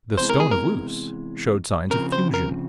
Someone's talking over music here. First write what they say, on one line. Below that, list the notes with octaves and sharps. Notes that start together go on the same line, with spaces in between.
The stone of Luce showed signs of fusion.
E2 C3 E3 G#3 C5
A#4
G#4
A#4
C#3 F3 C4 A#4
C5
A#4